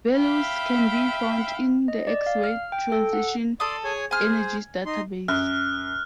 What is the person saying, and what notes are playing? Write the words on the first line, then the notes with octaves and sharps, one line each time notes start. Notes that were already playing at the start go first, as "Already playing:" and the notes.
Values can be found in the X-Ray Transition Energies Database.
E5 F5 G5 B5
D#5
D5
F5
F6
G5
A4
F#5
A4 D5 C6 D#6
G#4 C#5 G#5
G#4 C5 G#5 F6
D#4 C6
F#2 F6 F#6